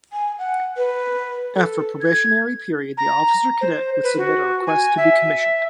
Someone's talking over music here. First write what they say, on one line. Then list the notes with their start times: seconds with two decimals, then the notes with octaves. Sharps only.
After a probationary period the officer cadet would submit a request to be commissioned.
0.13 G#5
0.39 F#5
0.77 B4
1.55 A4
2.02 G#6
2.98 A#5
3.61 C5
4.04 B4
4.18 F#4
4.67 G#5
4.97 E5